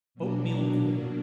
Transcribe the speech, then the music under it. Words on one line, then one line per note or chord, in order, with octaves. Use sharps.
Oat-meal Gruel.
B2 F#3 A#3 D4